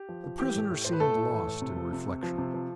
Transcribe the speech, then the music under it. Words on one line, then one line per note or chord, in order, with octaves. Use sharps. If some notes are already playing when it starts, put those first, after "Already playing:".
The prisoner seemed lost in reflection.
Already playing: G4
F3
F3
E3 G4
A2
A2
A2 C5
B4
A2 A3 A4
A2
E3
A2
C3
F3
C3
C3
F3
C3
F3